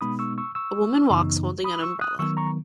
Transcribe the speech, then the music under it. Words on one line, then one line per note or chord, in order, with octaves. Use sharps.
A woman walks holding an umbrella.
B2 G#3 B3 D#4 B5 D#6
C#6 E6
C#6 E6
C#6 E6
F#2 C#3 E3 B3 D#4
B5 D#6
C#6 E6
D#6 F#6
D#3 F#3 B3 C#6 E6
A#5 C#6